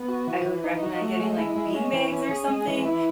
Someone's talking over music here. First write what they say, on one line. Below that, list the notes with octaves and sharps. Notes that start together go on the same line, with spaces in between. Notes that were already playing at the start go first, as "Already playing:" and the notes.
I would recommend getting, like, beanbags or something,
Already playing: B3
F#4
E3
E3
D#4
F#4
A3
G#3
E4
G#3
C#4
E3
C#4
G#4
G#3
E3
E4